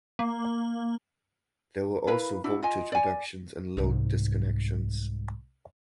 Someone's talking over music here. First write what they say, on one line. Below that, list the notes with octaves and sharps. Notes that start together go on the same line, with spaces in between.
There were also voltage reductions and load disconnections.
A#3
E4 A#4 B4 F5
D4 E4 F#4
F4 D#5 G#5
D5 G#5
C2 G#2